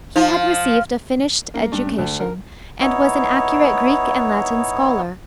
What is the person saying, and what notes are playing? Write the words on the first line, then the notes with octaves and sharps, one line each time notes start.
He had received a finished education, and was an accurate Greek and Latin scholar.
F3
A#3
G2
C#3
D2
A#4
B3 D#4 E4 C#5